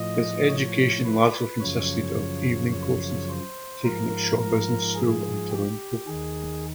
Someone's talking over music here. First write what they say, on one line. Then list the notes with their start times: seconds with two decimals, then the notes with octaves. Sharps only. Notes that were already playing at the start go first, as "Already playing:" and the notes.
His education largely consisted of evening courses taken at Shaw Business School in Toronto.
Already playing: A2 F3 D#5
0.49 C#5
1.05 B4
1.60 F#2 C#3 F3 C#5
2.72 C#5
3.29 C5
3.84 G#2 F3 A#4
4.39 A#4
4.95 G#4
5.51 G4
6.07 D#2 D#3 G#4